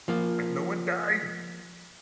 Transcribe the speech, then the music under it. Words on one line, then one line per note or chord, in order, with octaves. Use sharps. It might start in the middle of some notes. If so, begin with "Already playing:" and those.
And no one died.
F3 A#3 F4